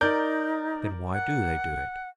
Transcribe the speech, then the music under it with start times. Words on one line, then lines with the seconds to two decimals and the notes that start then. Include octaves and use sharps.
Then why do they do it?
0.01 D#4 A#4 D5 G6
1.13 F#5